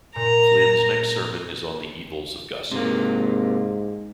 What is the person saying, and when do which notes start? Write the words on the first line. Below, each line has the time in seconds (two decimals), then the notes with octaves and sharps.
Flynn's next sermon is on the evils of gossip.
0.16 A#2 A#5
2.72 G#2 C3 A#3